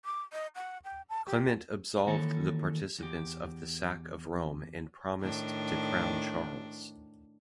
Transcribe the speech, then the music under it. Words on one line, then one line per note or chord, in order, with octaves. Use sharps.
Clement absolved the participants of the sack of Rome and promised to crown Charles.
D6
D#5
F#5
G5
A5
G4
D#3 E3 A#3 A4 C#5
E2 G4
A2 D#3 D4